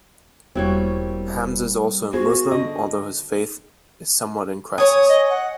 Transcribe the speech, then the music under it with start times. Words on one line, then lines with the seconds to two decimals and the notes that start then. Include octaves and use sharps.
Hamza is also a Muslim, although his faith is somewhat in crisis.
0.55 E1 G3 A#3 C4 E4 F#4 C#5
2.13 B3 F4 F#4 G#4 C5
2.51 D3 D#5
4.78 C#5 G#5 D#6
5.09 D#5
5.30 F#5